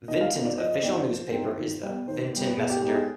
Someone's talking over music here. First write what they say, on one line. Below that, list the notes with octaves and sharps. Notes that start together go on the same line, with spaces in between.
Vinton's official newspaper is the "Vinton Messenger".
D#3 D#5
F5
B3 D#4
D5
F3 D#5
D#5
C4 D#4 D5
C5
F3
C4 D#4
D#3
G3 B3
D#3 C5
G3 B3
B4
B2 G#4
G4
G#3 B3 D#4 G4
G#4